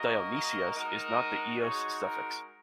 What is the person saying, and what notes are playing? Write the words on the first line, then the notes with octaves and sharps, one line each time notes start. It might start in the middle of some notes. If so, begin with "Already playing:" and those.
Dionysias is not the -ios suffix.
Already playing: A#3 F#4 A#4 D#5
A#4 D#5
G#3 D#4 F#4 A#4 D#5
G#3 D#4 F#4 G#4 C#5
A#4